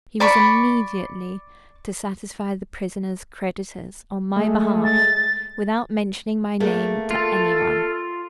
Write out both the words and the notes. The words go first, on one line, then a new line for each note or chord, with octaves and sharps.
He was immediately to satisfy the prisoner's creditors, on my behalf, without mentioning my name to any one.
D5 B5 C#6
G#3 A3
A6
A3 A#3 G#4
F4 A4